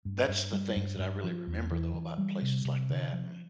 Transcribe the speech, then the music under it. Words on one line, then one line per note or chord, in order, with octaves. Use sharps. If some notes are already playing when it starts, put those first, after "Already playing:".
That's the things that I really remember, though, about places like that and
G2
G2
G3
G2
G2
F3
E2
E3
E3
G3
C3
C3
D3
F3